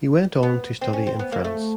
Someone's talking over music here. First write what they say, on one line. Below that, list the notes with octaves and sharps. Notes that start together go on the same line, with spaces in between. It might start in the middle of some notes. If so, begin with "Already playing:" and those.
He went on to study in France.
B3
C4
C#4
C4
B3
A#3
A3